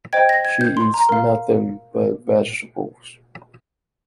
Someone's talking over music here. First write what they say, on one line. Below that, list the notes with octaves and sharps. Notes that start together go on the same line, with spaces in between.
She eats nothing but vegetables.
C5 D#5 G5 G#6
A#6
G#6
G6
C6
A#5
A#4 F5